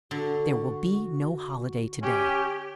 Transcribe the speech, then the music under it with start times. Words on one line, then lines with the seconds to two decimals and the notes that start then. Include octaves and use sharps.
There will be no holiday to-day.
0.11 D3 F#4
2.03 C#4 G4